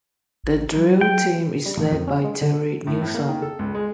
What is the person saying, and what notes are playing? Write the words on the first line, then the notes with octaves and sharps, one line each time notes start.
The Drill Team is led by Terry Newsome.
A1
F#3
G5
G3
A1
F2
C#4
G#3
D3
A2
A2
A#3
D#3
A4
C#2
G#3